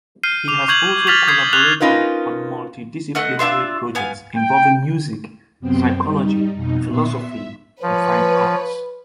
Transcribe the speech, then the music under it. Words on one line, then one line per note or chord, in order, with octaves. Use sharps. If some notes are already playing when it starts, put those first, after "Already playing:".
He has also collaborated on multi-disciplinary projects involving music, psychology, philosophy, and fine arts.
F6 G6 C7 D#7
D6 F7
C#6 G6 G#6 F#7
F6 A6 B6 F7 F#7
D#6 G6 G#6 C7
F#6 F7 G7
C#4 D#4 F4 A#4 B4
A3 D#5 F#5 F6
D4 F4 E5 C6
B3 F5 G#5
G5
F#2 C3 B3 C4 C5 G5
G3 D#4
F2 B2 D#4
A#2 B3 E5 C6
E5
F3 B4 C#5